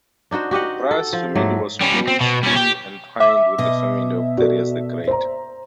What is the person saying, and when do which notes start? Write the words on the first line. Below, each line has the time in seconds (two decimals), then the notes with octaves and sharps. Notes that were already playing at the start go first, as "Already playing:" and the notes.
Gobryas' family was closely entwined with the family of Darius the Great.
0.31 D4 D#4 F#4 C5
0.51 F#4 G4 D#5 F#5
0.91 A4
1.13 F3
1.35 G#2 F#3 A3
1.81 G3 C#4
2.08 C4
2.21 B2
2.43 G3 C#4
2.56 G4
3.20 E5 D6
3.58 B2 D#5
4.38 F#4 A4 D5
5.08 C5 A#5